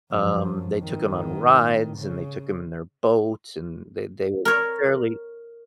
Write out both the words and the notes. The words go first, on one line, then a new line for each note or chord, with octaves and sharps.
um, they took him on rides, and they took him in their boats, and they they were fairly
F#2 F3
G#1 D#3
C#3
A#4 C#5